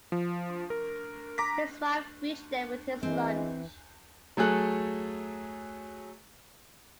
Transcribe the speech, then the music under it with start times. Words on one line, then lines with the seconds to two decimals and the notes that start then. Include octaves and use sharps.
His wife reached there with his lunch.
0.12 F3
0.70 A#4
1.38 A#5 D6 A#6 B6
3.03 E3 G#3 C4
4.37 F#3 A3 G#4 A4 F#6